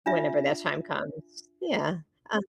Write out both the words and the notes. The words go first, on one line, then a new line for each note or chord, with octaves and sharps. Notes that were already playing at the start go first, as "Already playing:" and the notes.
whenever that time comes. Yeah, uh
D4 F4 E5